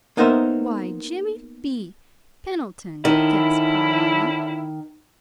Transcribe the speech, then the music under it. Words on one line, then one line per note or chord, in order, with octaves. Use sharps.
"Why, Jimmy Be--Pendleton!" gasped Pollyanna.
A#3 B3 D#4 A#4 C5 E5
D3 D#3 C#4 E4